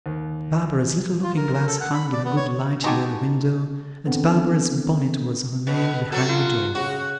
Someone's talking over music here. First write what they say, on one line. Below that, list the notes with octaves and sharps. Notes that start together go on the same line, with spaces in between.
Barbara's little looking-glass hung in a good light near the window, and Barbara's bonnet was on a nail behind the door.
D#2
F4
A#4
A#4
A4
F#5
B5
D5
B3
C#5
G#3 D#4 F#4 G4 A4 G#5
D#3 B3 C4 D4 A4
B2 B4
F#3 F#4 A4
F4
C#3 F#4